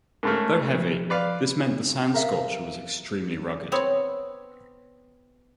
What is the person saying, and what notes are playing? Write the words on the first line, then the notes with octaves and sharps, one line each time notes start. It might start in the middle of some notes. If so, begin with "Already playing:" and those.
Though heavy, this meant the Sand Scorcher was extremely rugged.
G#2 C#3 A3 A#4 A5 F6
F3
B4 D5 F5
A#4 E5 F5
B3 C4 C#5